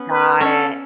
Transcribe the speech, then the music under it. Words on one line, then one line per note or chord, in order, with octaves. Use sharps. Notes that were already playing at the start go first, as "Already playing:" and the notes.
Got it.
Already playing: B3 C#4
B4
C#4 A4